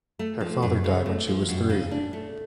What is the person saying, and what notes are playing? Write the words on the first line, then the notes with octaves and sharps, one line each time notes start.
Her father died when she was three.
A3
F3
F#2
C#3
A3
F3
F#2
C#3
D4
A3